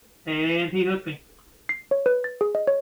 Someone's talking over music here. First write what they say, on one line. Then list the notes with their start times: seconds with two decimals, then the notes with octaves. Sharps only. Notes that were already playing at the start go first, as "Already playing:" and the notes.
And he hooked me.
1.69 C7
1.91 C#5
2.06 B4
2.24 A6
2.41 G#4
2.55 D#5
2.67 C#5